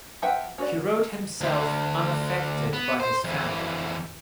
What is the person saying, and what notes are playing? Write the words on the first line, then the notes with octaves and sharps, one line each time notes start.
He wrote himself unaffected by his family.
F3 B4 E5 F#5 G5
C#4 F#4 B4 C5 D5
D2
B3
C5
F2 E3